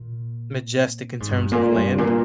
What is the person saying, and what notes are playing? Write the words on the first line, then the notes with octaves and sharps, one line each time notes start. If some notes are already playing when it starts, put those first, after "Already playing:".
majestic in terms of land?
Already playing: A#2
G#2
G2
A#2
G2
A#2